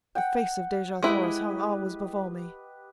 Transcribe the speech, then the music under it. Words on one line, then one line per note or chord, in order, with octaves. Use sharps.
The face of Dejah Thoris hung always before me.
F#5 G5
G#3 E4 G4 B4 D#5